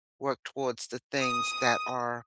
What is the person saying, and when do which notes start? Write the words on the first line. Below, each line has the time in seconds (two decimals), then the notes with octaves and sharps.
work towards the things that are
1.20 D#6